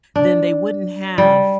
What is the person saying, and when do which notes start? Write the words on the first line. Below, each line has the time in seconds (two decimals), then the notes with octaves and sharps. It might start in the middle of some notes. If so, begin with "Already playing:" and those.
then they wouldn't have
0.16 D4
1.18 G3